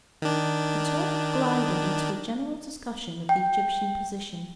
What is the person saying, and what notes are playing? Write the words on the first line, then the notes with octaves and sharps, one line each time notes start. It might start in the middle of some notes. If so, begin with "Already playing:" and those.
The talk glided into a general discussion of the Egyptian position.
D#3 D4
G5